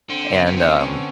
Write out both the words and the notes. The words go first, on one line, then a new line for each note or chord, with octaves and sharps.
and, um
D3 C4
C#3 B3
C#3
D3 C4
C#4